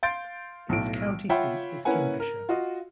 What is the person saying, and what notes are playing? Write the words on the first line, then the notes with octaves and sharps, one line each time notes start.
Its county seat is Kingfisher.
F5 C6 G6 A6 D7
B1 A2 D7
F4 C#5 E5 F#5 G5 B5
A#3 C#4 E4 B4 F#5 G#5
A#4
F4 F#4 D#5